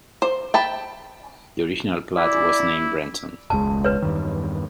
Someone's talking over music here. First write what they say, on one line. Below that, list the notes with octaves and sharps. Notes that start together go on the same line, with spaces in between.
The original plat was named Brenton.
C5
G5 A5 B5
E4 D5
E1 C#2 G#3 A5
B4 C#5
E2 G2 D#3